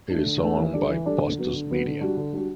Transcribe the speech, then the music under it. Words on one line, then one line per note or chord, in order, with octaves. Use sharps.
It is owned by Bustos Media.
A3 D4
D3
A3 D4
E3
G3 D4 A4 D5
E3
G3 D4 A4 D5
D3
F#3 B3
D3
F#3 B3
D3
G3 D4 F#4
D3
G3 D4 F#4